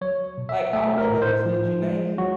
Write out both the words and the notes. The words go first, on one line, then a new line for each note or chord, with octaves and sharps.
Like, all of those that you named,
F#3 C#5
B2
E5
A3 E5
A#4
A2
C5
F3
G#3
F#3 F#4